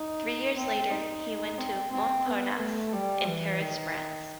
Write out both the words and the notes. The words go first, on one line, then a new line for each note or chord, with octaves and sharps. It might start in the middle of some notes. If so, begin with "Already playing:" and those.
Three years later he went to Montparnasse in Paris, France.
Already playing: D#4
C4
D#4
C4
C4
B3
A3
G3
E3
D#3